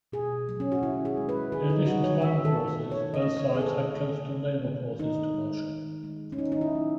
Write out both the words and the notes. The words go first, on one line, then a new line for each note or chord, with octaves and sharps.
In addition to land forces, both sides had coastal naval forces to marshal.
B2 G#4
F#3 A3
C#4
F#4
D#3 E4
G#4
G#3
B4
D#3 G#4
D#4
G#3 F#4
C#5
D#3 E5
A4
A3
A4
D#3 C#5
D#5
A3
C#5
G#4
D#3 A4
A3
D#3
A3
D#3 D#4
G#3
D#3
G#3
C#4
D#3 D#4
D#4
E4
F#3 A3